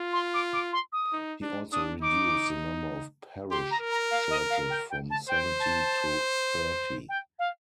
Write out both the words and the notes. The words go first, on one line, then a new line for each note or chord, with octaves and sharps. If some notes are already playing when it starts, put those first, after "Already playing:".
He also reduced the number of parish churches from seventy to thirty.
Already playing: F4
C6
D6
D6
C6
D#6
D#4
D4
D4 D#6
D#4 D6
G4 C6
A#5
A#4
A#5
F5
D#5
F5
G5
G5
A5
C5 G5
A5
G5
F5